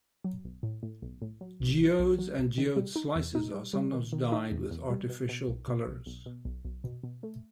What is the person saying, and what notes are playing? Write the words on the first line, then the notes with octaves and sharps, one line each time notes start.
Geodes and geode slices are sometimes dyed with artificial colors.
F#3
B1
A2
A2
B1
A2
F#3
B1
B1
B1
F#3
B1
D#3
G3
D#4
E2
D#4
G3
G3
D#3
D#3
D#4
E2
E2
G3
B2
B2
B1
B2
B1
B1
B2
B1
B1
B2
B2
A3